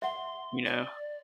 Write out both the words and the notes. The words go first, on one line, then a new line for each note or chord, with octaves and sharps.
You know?
E5 F#5 C6
D5